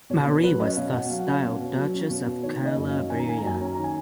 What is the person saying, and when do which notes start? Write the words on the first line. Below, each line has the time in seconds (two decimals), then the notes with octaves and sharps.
Marie was thus styled Duchess of Calabria.
0.10 B2 C#5
0.27 B2
0.44 F#3 B4
0.60 C#4 D#5
0.77 B2 F5
0.93 B2 F#5
1.10 F#3 F5
1.19 F#5
1.27 C#4 F5
1.43 B2
1.60 B2
1.77 F#3
1.93 C#4
2.10 B2
2.26 B2
2.43 D#3 C#5
2.60 A#3
2.66 D#5
2.77 F#2
2.88 F5
2.93 C#4
3.10 D#3 G#5
3.19 A#5
3.27 A#3 G#5
3.38 A#5
3.43 F#2 G#5
3.56 C#4 A#5
3.65 G#5
3.75 D#3 A#5
3.84 G#5